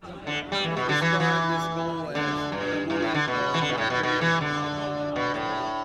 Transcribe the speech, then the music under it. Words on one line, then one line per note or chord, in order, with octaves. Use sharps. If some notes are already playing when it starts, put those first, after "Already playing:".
He described this goal as "the moment of my career".
D3
G3
E3
B2
D3
E3
E3
D3
G2
G2
A2
D3
B2
E3
D3
B2
A2
B2
B2
E3
D3
B2
A2